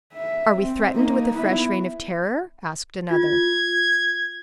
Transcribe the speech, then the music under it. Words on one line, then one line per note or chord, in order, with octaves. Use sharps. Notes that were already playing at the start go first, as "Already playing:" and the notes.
"Are we threatened with a fresh Reign of Terror?" asked another.
E5
C4
A#3 D#4
B3 E4
F4 G#6